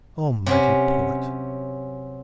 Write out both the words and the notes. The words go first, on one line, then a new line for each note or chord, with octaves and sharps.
O, mighty poet!
C3 F#3 C#4